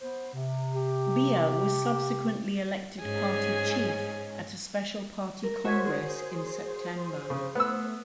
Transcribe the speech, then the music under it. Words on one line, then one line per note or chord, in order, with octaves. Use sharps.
Biya was subsequently elected party chief at a special party congress in September.
B3 C5
C3
G4
G#2 C#4 G#4 G#5
A#4
F#4 C5 C#5 E5 G#5
G#4
C#3
A3 B3 E6 F#6